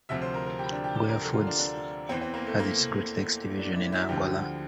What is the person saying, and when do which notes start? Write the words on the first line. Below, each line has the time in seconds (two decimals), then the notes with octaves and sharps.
Goya Foods has its Great Lakes division in Angola.
0.09 D2 C3 F3 E5
0.22 C5
0.34 A#4
0.46 A#4
0.59 G4
0.72 D4
0.84 G4
0.96 G4
1.09 A#4
1.21 A4
1.33 F4
1.47 D4
1.59 D4
2.09 E2 E3 C4
2.21 C4
2.34 A#3
2.46 A3
2.59 A#3
3.59 D4
3.76 E4
3.92 E4
4.09 D2 D3 F3 G4